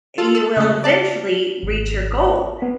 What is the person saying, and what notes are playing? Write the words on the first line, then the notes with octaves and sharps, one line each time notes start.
you will eventually reach your goal,
F4 A4
A4
C#3 A3
D5 A5
G#1
B3